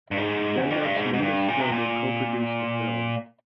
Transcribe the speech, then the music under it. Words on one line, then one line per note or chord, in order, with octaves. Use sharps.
Denmark's Nimbus Film will co-produce the film.
G2
G#2
E2
F2
G2
G#2
G#2
G2
A#2
C3
A#2